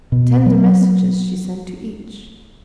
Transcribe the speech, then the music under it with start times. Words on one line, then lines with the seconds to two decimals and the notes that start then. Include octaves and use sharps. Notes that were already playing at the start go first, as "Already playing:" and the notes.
Tender messages she sent to each.
0.12 B2
0.46 F#3